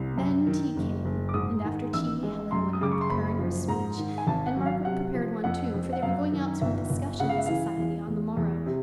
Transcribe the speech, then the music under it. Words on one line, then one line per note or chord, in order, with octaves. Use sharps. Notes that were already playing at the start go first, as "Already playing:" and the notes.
Then tea came, and after tea Helen went on preparing her speech, and Margaret prepared one, too, for they were going out to a discussion society on the morrow.
Already playing: C2
F#2
D#3
F#1
F#1
D6
G#2 D#6
D#3
A1 E6
G#3
F#2 C6
D#6
C#3 D6
C#6
C6
F#1 B5
F3
G#2 A#5
D#3
G#5
G#1 A5
F#5
F#3
F5
C3 F#5
F3
F2 F#5
F2
F#5
F#2 F5
D#3
G1 E5
G1
C#3 F#5
F5
E5
E3 F5
E2
E2
E2
C3